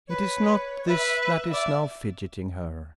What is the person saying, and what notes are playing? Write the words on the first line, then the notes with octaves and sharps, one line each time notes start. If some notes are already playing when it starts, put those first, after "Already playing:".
It is not this that is now fidgeting her.
B4 C#5
B4 E5
D5 E5
E5